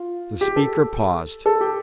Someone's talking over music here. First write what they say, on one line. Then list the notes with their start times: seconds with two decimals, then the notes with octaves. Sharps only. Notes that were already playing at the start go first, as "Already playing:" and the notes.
The speaker paused.
Already playing: F4
0.41 G4
0.56 A4
1.46 A4
1.61 G4